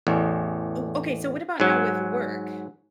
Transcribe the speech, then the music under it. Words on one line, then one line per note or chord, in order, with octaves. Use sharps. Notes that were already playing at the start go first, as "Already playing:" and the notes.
ooh, okay, so what about now with work?
A1 E2
G#2 F#3